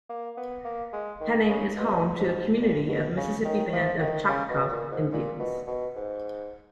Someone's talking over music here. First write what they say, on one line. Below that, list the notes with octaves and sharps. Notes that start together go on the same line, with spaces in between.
Henning is home to a community of Mississippi Band of Choctaw Indians.
A#3
B3
A#3
G#3
D#3
C#3
B2
G#2
A#2
B2
C#3
D#3
F3
D#3
C#3
B2
A#2
G#2
A#2
B2
B2
G#2